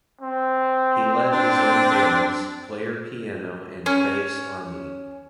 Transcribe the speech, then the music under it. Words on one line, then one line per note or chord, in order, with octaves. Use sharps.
He led his own bands, Player Piano and Bass Army.
C4
D4
C#4